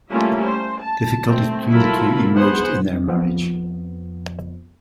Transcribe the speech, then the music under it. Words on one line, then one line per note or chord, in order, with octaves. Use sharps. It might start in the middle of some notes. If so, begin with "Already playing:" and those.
Difficulties between the two emerged in their marriage.
G3 A3 A#3 C#4 E4 F4
C5
A5
A3 C4
F#3 E4 F4 A4 A#4 B5
B3 G#4 C5 F#5
F2 F3 B3